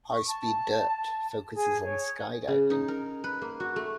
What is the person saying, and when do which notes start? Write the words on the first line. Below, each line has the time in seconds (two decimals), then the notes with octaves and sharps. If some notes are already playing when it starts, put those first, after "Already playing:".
"High Speed Dirt" focuses on skydiving.
0.08 C#6
0.27 A5
1.55 G#4
1.83 C#5
2.48 C#3
2.70 D#4
2.88 A#4
3.24 B4
3.41 A#3
3.60 F#4
3.76 A3